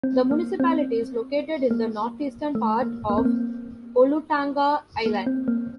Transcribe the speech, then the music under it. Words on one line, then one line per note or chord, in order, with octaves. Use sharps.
The municipality is located in the northeastern part of Olutanga Island.
C4
A#3
C4
A#3
A3
A#3
A#3
C4
A#3
A#3
C4
A#3